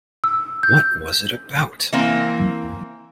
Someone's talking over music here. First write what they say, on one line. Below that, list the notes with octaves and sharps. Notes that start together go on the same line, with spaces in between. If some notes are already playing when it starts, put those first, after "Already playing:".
What was it about?
E6
G6
E3 A#3 C4